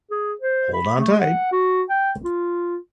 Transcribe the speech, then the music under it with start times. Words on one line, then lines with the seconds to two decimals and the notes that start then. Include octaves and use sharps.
Hold on tight!
0.11 G#4
0.41 C5
0.73 B5
0.97 A3
1.19 F#5
1.52 F#4
1.89 G5
2.24 F4